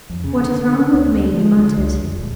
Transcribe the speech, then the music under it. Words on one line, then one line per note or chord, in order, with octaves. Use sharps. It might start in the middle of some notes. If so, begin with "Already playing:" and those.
"What is wrong with me?" he muttered.
F2
C#3
D3
D3
D3
D2
D2
F3
D3
C#2
F2
D#1